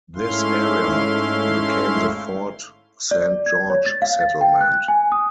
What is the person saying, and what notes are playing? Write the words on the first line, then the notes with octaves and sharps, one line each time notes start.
This area became the Fort Saint George settlement.
G#2 A3 C#4 E4 F5 C6
D5
G#6
C#5
A6
F5
A6
G5
F#6
G#5
D#6